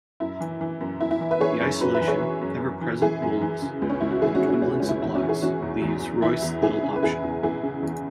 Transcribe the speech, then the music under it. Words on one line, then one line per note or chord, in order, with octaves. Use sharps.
The isolation, ever-present wolves and dwindling supplies leaves Royce little option.
F#2 E4
E3
E3
F#2
F#2 E4
E4
E3
B4 E5
E3 G#4 C#5
F#2
F#2 F#4 B4
B4 E5
E3
G#4 C#5
E3
F#2
F#2
E3
E3 E4 G#4
F#2
E3
C#3
C#2
C#4
C#2 E4
F#4
E3 E4 G#4
C#4 F#4
C#3
C#4 F#4
C#2 C#4 F#4
C#2 C#4
E4
E2 E4
C#4 F#4
E3
E4 G#4
E3 C#4 F#4
E2
E2
E3
E3 E4
E2
E3 E4 G#4
C#3
B4
E2 E4 G#4
E2
E3 E4 G#4
C#3
E2